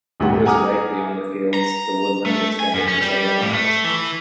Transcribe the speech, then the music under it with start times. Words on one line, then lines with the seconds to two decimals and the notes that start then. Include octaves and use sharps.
To his right beyond the fields the woodland extended for several miles.
0.20 D#1 D2 G#2 G3 G4 F#5
0.45 F#5 G#5 A#5 D6 D#6 F6
1.54 A#5
2.26 A3
2.60 G#5
2.74 F#2
2.88 C#4
3.02 G3
3.42 A2
3.53 A3
3.84 E3